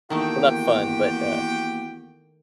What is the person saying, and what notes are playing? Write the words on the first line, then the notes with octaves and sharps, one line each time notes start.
Well, not fun, but, uh,
E2 D#3 A3 A#3 D#4 F#4 G4 G5